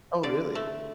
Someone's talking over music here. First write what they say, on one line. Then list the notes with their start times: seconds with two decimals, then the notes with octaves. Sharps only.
Oh, really?
0.23 D3 D5
0.55 A3